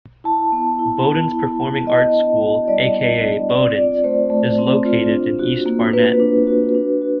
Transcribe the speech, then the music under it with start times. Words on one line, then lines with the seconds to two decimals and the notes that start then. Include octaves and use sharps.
Bodens Performing Arts School, aka Bodens, is located in East Barnet.
0.24 E4 A5
0.52 B3
0.79 E4
1.07 B3
1.32 E4
1.60 B3
1.86 B3 D#5
2.14 D4
2.41 F#4
2.68 G3 D5
2.96 B3
3.22 D4
3.50 C4 D5
3.77 F4 D5
4.04 A3 C5
4.30 A3
4.58 C4
4.85 F4
5.12 D4
5.39 F#4
5.66 A#3
5.93 A#3 B4
6.20 D4
6.47 F#4
6.75 D4
7.02 F#4